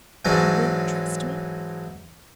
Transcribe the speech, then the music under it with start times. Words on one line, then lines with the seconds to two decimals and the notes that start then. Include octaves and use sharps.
"You WILL trust me?"
0.25 G#2 E3 F#3 G#3 C#4 D4